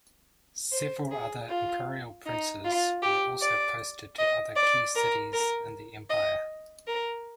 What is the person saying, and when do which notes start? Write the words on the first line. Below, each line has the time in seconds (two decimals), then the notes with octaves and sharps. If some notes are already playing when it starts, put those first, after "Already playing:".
Several other imperial princes were also posted to other key cities in the empire.
0.72 C5
1.11 G#4
1.49 F4
2.26 D#4
2.65 F4
3.03 G4
3.42 D5
4.18 D#5
4.56 D5
4.95 A#4
5.33 A#4
6.10 D#5
6.87 A#4